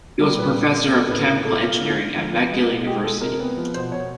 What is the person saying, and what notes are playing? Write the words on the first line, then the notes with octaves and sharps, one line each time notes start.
He was a professor of Chemical Engineering at McGill University.
G3 A#4
A#2 B4
A#3
A#3
A3
A2 B4
A2 A#4
A3 A4
A#3 F4
D3
D3
F3
B3
G#3
B2
G#3 G4
G#3 A4
C3 A#4
B3
F3
B2 C5
B2 C#5